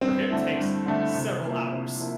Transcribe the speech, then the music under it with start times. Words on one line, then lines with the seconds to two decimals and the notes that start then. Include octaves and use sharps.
for him takes several hours.
0.01 G2 C4
0.30 D3 A3 E4
0.58 G2
0.86 D3 A3 E4
1.14 C3
1.44 F3 A#3 E4
1.71 C3
1.99 F3 A#3 E4